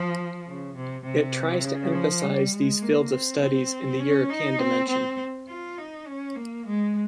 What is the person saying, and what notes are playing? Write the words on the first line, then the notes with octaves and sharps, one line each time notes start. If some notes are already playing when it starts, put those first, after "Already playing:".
It tries to emphasize these fields of studies in the European dimension.
Already playing: F3
C#3
C3
C3
C#3
F3
G3
G#3
A#3
C4
C4
C#4
D#4
C4
C4
F4
D#4
C#4
A#3
G#3